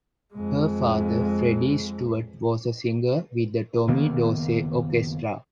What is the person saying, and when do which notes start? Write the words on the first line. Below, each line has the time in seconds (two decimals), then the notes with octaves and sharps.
Her father, Freddie Stewart, was a singer with the Tommy Dorsey Orchestra.
0.34 F2 G#3
3.88 F#1 D#3 A#3 B3